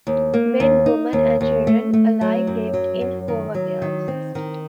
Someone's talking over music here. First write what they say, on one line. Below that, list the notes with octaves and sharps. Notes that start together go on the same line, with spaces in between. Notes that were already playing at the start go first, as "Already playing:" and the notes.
Men, women and children alike lived in Hoovervilles.
D#2
A#3
D#2
D#4
D#2
D#2
A3
A3
F#3
F#2
F#3
F#2
D#3
F#3
D#3
C4
D#3